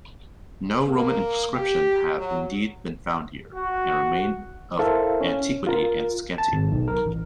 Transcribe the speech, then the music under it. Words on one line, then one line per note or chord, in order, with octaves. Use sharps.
No Roman inscriptions have, indeed, been found here, and remains of antiquity are scanty.
A#3
G4
F#3
F#4
E4 A4 A#4 C5 E5 F5
C#4
F4 A#4
A5
G#1
B1
A#4
A1